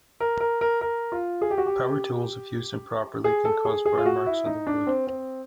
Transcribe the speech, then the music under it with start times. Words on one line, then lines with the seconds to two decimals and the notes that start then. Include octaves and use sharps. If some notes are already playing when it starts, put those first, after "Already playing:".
Power tools, if used improperly, can cause burn marks on the wood.
0.20 A#4
0.40 A#4
0.61 A#4
0.81 A#4
1.12 F4
1.41 G#4
1.50 G4
1.58 F#4
1.66 G4
3.24 G#4
3.45 A4
3.65 G#4
3.86 G#4
3.98 F4
4.05 F#4
4.26 E4
4.46 D#4
4.67 D4
4.87 C4
5.07 C4